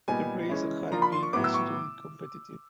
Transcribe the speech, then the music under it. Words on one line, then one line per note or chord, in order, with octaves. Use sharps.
The race had been considered competitive.
A#2 G3 B3 D#4 G#5
E3 G#3 C#4 E4
F3 A#3 D4 F4 A#5
B5
C6
C#6
A2 F#3 B3 D6
E6
C#6